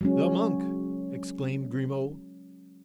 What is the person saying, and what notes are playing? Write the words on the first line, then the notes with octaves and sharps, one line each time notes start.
"The monk!" exclaimed Grimaud.
F#3 G#3 C#4